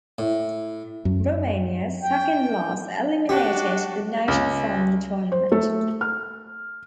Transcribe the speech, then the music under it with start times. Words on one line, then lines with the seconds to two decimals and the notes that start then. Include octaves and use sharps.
Romania's second loss eliminated the nation from the tournament.
0.19 A2
1.05 F#2
2.03 G5
3.29 D4 F#4 G4
4.28 C#2
5.32 C5
5.52 A3 A4
6.01 F6